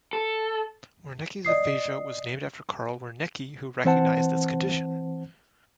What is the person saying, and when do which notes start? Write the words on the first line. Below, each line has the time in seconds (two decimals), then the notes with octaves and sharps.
Wernicke's aphasia was named after Carl Wernicke who recognized this condition.
0.13 A4
1.45 D5 D#5 D#6 C7
3.85 E3 C4 C5 F#5 A5